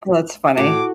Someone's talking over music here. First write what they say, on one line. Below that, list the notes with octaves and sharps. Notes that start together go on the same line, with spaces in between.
Oh, that's funny.
A2 F#4 D6